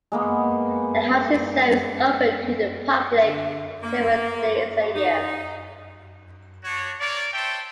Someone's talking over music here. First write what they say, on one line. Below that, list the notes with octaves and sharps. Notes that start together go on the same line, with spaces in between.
The house itself is open to the public several days a year.
G#3 A#3 B3
D3
A#3
D#4
D4 F#4 C#5
A#3 D4 C#5 D5
C5 C#5 E5 G5 A5